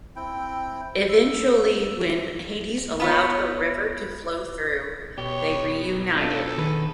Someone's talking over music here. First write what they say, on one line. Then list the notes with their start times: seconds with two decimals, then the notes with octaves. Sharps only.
Eventually when Hades allowed her river to flow through, they reunited.
0.16 C4 E4 G5
1.09 E6
3.00 B3 F4 C#5
5.18 B2 G4 C#5
6.16 D4 F4 A4
6.58 D#3 G#4 B4